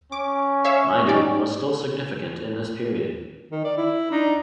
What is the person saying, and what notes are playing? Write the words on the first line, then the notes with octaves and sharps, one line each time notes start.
Mining was still significant in this period.
C#4 D6
C#5 E5 F5
D#4 G4 D5
D#3
D5
E4
D4 D#4